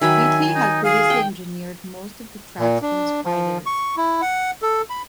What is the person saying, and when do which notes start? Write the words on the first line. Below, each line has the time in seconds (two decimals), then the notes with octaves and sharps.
Wheatley had previously engineered most of the tracks from "Spiders".
0.01 D#3 F#3 E5 G#5 B5
0.55 D#4
0.84 G#4 F5
1.10 G5
2.59 A#2
2.82 D4
3.25 F3
3.66 C#6
3.97 E4
4.22 F#5
4.62 A4
4.90 B5